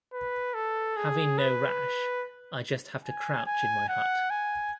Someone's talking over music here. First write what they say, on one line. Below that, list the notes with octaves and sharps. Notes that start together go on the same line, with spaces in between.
Having no rash, I just have to crouch in my hut.
B4
A4
G#4
B4
G#5
G#5
F#5
G#5